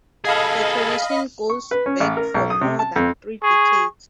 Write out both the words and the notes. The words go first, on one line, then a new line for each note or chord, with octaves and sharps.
The tradition goes back for more than three decades.
G#4 A4 D#5 F5 B5
C#6
B4
C#4
A1
A#4
B1
D#6
C3
A5
F2
G#4 C#6